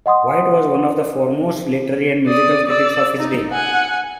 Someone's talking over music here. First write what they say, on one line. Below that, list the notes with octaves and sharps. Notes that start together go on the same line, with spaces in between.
White was one of the foremost literary and musical critics of his day.
D#5 F#5 C6 D#6
D5 D#6
D5 E6
D#4
F#5 G#5